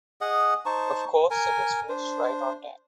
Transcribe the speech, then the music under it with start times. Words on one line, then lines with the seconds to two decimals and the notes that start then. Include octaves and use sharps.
Of course, it was finished right on time.
0.21 G#4 D#5 F#5
0.66 D#4 C5 A5 C#6
1.30 A#4 G#5
1.89 D4 C5